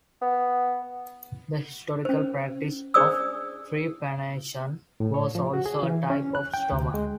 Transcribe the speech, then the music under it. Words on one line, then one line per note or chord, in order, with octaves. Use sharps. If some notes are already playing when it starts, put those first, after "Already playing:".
The historical practice of trepanation was also a type of stoma.
B3
C#4 C5
D4 G#4 C5 D5 D#6 E6
A2
C#5
F3
F#4
G#4
E3
C#4
F#6
G5
D2
G#3